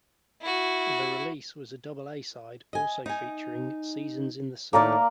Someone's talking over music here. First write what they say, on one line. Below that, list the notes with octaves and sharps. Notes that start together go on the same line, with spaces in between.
The release was a double A-side, also featuring "Seasons in the Sun".
E4 F#4
D#5 G#5
D#4 G#5
A2 D#3 A#3 A#4 D5 A5